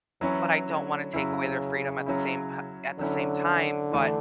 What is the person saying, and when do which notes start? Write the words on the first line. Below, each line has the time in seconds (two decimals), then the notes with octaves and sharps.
but I don't wanna take away their freedom at the same pi at the same time, but,
0.21 E3 F#3 C#4 E4
0.67 D3
1.13 C#3 F#3 C#4 E4
2.06 F#3 C#4 E4
2.99 D3 F#3 C#4 E4
3.92 E3 A3 D4